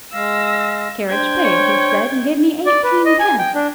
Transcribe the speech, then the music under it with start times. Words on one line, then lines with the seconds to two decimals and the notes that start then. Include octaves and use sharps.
'Carriage Paid,' he said; and gave me eighteen-pence.
0.13 G#3 F5 E6 A#6
1.10 D4 C5 G5 G#6
1.45 C#5
2.66 D5
2.83 B4
3.05 D#5
3.20 G#5
3.39 G5
3.55 D4